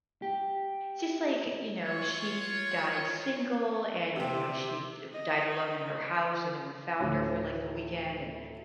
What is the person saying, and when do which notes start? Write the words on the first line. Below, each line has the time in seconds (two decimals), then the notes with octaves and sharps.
just like, you know, she died single and, you know, she, uh, b died alone in her house and no one found her for, like, the weekend, and
0.22 G4
1.79 F4 C#5
4.16 C3 C4
5.12 D#5
5.46 D#4
6.99 D2 A2